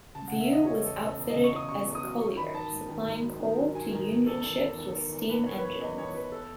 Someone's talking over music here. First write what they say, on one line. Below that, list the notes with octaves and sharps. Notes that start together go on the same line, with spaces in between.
View was outfitted as a collier, supplying coal to Union ships with steam engines.
C#3 A5
F#5
C#3
E5
E2 D#5
E2 C#5
E2 A4
C#3
E2
D#5
C#3
C#6
E2 D#6
C#3 C#6
E2
D#6
F#3
F#3 C#6
D#3 B5
D#3 A5
G#2
D#3
G#2
F#3
D#3
F#3
F#3 G#5
D#3
G#2
E2 A4
D#3
E2
D#3
D#3
E2
E2 B4
E2 C#5
B4
E2 C#5
E2 D#5
E2 C#5
E2 B4
A4